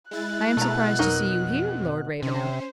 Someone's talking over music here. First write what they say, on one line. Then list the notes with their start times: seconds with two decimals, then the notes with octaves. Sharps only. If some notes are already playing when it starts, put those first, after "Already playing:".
"I am surprised to see you here, Lord Ravenel."
0.11 G#3 E4 F#6 A6
0.57 B2 A3 A#5
0.99 F2 F#3 D#4 A#4
2.22 C3 C#4 C5